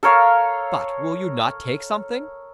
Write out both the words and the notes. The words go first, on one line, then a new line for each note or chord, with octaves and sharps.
But will you not take something?
A4 A#4 C#5 F5